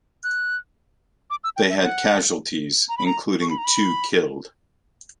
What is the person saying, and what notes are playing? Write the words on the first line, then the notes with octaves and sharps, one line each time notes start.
They had casualties, including two killed.
F#6
D6
E6
G5
E5
F#5
A#5
B5
A#5
C#6
B5
A#5
B5